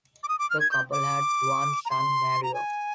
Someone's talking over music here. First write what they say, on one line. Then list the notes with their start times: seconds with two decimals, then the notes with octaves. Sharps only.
The couple had one son, Mario.
0.23 D6
0.29 D#6
0.39 D6
0.50 F6
0.60 G#6
0.71 G6
0.92 D6
1.85 A#5
1.90 C6
2.43 A#5
2.54 G#5